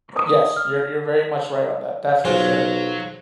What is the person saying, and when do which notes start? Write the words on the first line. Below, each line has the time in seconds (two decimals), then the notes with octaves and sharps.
Yes, you're you're very much right on that, that's for sure,
0.17 D#6
0.56 F6
2.25 B1 F#3 F4 G#4 C5 G#5